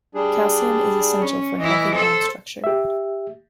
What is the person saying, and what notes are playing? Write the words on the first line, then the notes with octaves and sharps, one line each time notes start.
Calcium is essential for healthy bone structure.
G3 D4 G#4
C#4
E3 E4 D#5
A4 C5
G4 E5